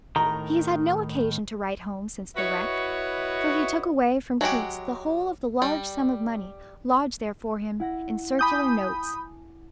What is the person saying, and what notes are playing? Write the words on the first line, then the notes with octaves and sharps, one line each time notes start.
He has had no occasion to write home since the wreck; for he took away from Coutts's the whole of the large sum of money lodged there for him, in circular notes.
A2 D#3 A#5
E4 F#4 B4 C#5 D#5 E5
F#3 G#3 F#4 G4
G3
E4 F#5 A#6
G#5 A5 B5 D6 D#6 G6